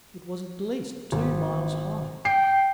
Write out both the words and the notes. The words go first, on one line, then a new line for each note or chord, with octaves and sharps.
It was at least two miles high.
G#1
G5 C7